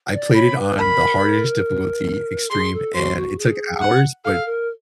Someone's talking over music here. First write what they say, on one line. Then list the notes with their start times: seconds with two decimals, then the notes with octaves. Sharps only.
I played it on the hardest difficulty, extreme, and it took hours, but
0.13 D5
0.35 C#5 B5
0.57 B4
0.78 A#4 B5
2.50 G#4 C6
2.73 A4
2.95 F#4 C6
3.16 F#4
3.38 G#4
3.81 F#5
4.24 A4 F5
4.45 A#4